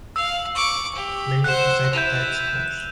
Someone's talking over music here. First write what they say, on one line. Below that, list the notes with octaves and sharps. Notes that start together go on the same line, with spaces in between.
Playoffs decide tied scores.
F5 E6
C#6 D6
G4
C5 F#5 F#6 E7
E4 G6 D#7 F7